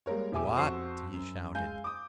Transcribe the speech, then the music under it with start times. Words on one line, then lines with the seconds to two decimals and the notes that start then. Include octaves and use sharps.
"WHAT!" he shouted.
0.06 G3 G#3 A#3 A#4 C#5
0.32 E1 G4 E5 G#5 D6
0.56 F2 F#4 C5 C#6 E6 C7
1.13 F#2
1.55 G#3 F5 G#5 G6
1.84 D6 D#6